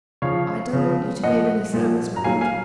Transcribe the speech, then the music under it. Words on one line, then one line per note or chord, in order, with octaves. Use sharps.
"I don't want you to be of any service, my Lord."
C#3 F3 C#5 F5
C#3 F3
A#2 F3 D#5 F#5
A#2 F3
A#5
A#2 F#3 F5 G#5
F5 G#5